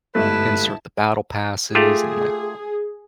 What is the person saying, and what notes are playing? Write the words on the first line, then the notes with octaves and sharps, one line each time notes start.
insert the battle passes and, like,
G1 G#2 G3 A3 E4 B4 A5
A3 F4 G4 G#4